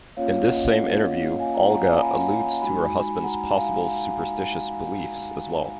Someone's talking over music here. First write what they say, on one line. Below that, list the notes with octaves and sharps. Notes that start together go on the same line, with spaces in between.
In this same interview, Olga alludes to her husband's possible superstitious beliefs as well.
A#3 C#4 F4 C#5 F5
D#5 F#5
F5 G#5
F#5 A#5
F#5 A#5
F5 G#5
G#5 B5
G#3 D#4 F#4 G#5 B5
F#5 A#5
F5 G#5